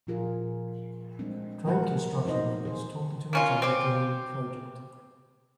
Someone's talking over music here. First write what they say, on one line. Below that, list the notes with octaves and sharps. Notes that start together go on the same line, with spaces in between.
Train construction workers talking to each other during project.
A#2 F3 F4 G#4 A#4
F#3 G#3 A3 C4 D4
F3 F#3 A#3 A#4 F#5
C4 D#4 C5 D#5
G#4 C5
A#3 C#4 F4
C4 G4